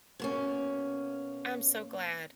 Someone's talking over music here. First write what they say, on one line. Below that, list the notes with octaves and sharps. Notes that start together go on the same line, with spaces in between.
I'm so glad.
B2 A#3 C#4